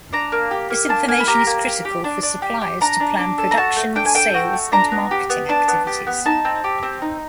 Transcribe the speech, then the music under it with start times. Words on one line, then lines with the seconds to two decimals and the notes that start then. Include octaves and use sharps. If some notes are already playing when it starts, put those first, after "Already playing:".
This information is critical for suppliers to plan production, sales and marketing activities.
0.13 D4 A#5
0.32 A#3
0.51 G4
0.70 A#3
0.89 D4 A5
1.08 A#3 G#5
1.20 B5
1.28 G4 A#5
1.47 A#3
1.66 G4
1.85 G4
2.04 D4
2.23 D4
2.42 G4
2.61 G4
2.81 D4 A#5
3.00 D4
3.19 D4
3.38 A4
3.51 A#5
3.57 F#4 A5
3.77 A3
3.95 D4 G5
4.05 G#5
4.14 A4 G5
4.34 F#4
4.53 A3
4.72 D4 A#5
4.92 B3
5.11 G4
5.30 B3
5.49 D4 A5
5.68 B3
5.87 G4
6.07 B3
6.26 D#4 A5
6.45 C4
6.64 G4
6.83 C4
7.02 D#4